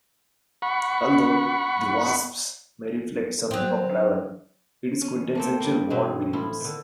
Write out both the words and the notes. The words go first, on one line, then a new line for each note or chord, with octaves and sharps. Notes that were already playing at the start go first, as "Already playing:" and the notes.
Although "The Wasps" may reflect something of Ravel, it is quintessential Vaughan Williams.
F#5 B5 C#6
F#3 C4
C#4
A3 A#3 C4
G3 A#3
B2 E3 C4
A2 E4 F4
D3 D#3